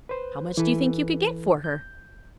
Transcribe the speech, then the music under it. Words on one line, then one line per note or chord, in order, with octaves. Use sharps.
"How much do you think you could get for her?"
B4 C5
E3 E4 A4 B4
G6